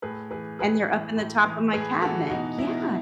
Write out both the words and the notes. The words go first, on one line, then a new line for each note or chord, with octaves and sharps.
and they're up in the top of my cabinet, yeah
A2 G#4 B4
E3 G#4 B4
A2 G#4 B4
E3
A2
E3
A2 G#4 B4
E3 F#4 A4
B2 D#4 F#4
B2 E4